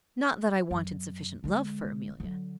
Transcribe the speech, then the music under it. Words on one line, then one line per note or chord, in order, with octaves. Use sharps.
Not that I wanted sufficient love for Amelia.
F#2
D3 G#3
D3 F#3